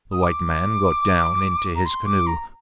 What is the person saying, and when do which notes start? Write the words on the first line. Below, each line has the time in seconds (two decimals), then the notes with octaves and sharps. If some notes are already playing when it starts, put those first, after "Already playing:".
The white man got down into his canoe.
0.12 D#6
0.23 D6
1.75 A#5
1.85 C6
2.06 D6
2.27 A#5